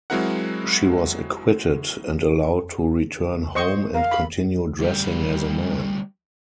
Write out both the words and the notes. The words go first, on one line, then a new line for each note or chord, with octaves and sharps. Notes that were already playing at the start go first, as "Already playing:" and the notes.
She was acquitted and allowed to return home and continue dressing as a man.
F#3 G#3 C4 E4 A#4 F#5
C5 D#5 C#6
A#4 F5
B5
D2 G3